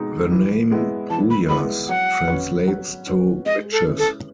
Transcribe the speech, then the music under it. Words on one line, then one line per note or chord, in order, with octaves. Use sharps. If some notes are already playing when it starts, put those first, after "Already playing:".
The name Brujas translates to "Witches".
Already playing: B2 G#3 D#4
E3
G#3 B3 E4
E3 A5
B5
G#3 B3 E4 B5
F#3 F#5
C#4 F#4 B4
F#3
C#4 F#4 B4
G#3 D#5
A4
C#4 E4 B4
A4